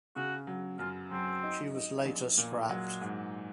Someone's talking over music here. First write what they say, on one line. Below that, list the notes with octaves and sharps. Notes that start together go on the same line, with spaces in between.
She was later scrapped.
C#3 F#4
F#3
F#2 F4
F#3 C4
D#4
D#4
A#1
A#2
F#3 G#3
G#2